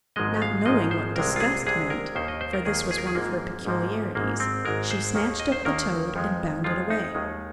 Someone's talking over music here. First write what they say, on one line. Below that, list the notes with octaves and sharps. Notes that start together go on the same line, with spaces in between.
Not knowing what disgust meant, for this was one of her peculiarities, she snatched up the toad and bounded away.
G#1 G#2 F3 G#3 D#5
F5
G#1 G#2 F3 G#3 D#5
C5
C2 C3 G#3 A#4
F4
G#4
C2 C3 G#3 G#4
A#4
D#2 D#3 A#3 C5
D#5
C5
A#4
D#2 D#3 A#3 G#4
G#4
A#4
G#4
G#1 G#2 F3 A#3
G#1 G#2 F3 A#3
G#1 G#2 G#3 A#3
C4
G#1 G#2 G#3 A#4
C5
D#2 D#3 A#3
D#5
C5
D#2 D#3 A#3 A#4
F2 F3 G#3
F2 F3 G#3 F4
D#4
D#2 D#3 G#3